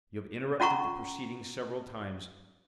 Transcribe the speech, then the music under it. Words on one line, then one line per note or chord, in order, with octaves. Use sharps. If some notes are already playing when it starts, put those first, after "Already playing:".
You have interrupted the proceedings several times.
C#4 F4 F#5 A#5 C#6